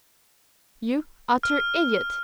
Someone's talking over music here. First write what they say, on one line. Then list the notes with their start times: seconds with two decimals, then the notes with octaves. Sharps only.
You utter idiot!
1.43 F6